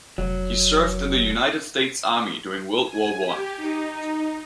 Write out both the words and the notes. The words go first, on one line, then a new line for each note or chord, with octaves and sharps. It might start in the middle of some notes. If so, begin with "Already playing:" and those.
He served in the United States Army during World War One.
F1 F#3
G#5
G4
D#4